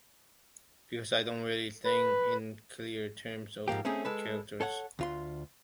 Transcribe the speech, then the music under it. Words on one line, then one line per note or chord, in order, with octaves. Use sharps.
Because I don't really think in clear terms of characters.
B4
G#2 F3 A#3 G4
A3 C4 C#4 D#4 G#4
G#3 A4 B4
A4 C#5 F#5
D2 F4 C6